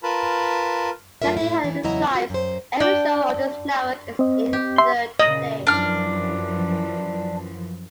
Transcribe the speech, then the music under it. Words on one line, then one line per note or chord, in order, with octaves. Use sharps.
Natalie Hurley replies, Every show on this network is in third place.
F4 A#4 B4 A5 B5
F#2 A3 F4 G#4 A#4 E5
A2 E4
E3
E2 C#3 F#3 E4 D#5 A#5
F4 F#4
F#2 C5
D4 D5 G5
C4 D#5
G4
E5 C6
A#2 C#3 D#5
F#2 E3 F3 D4 F6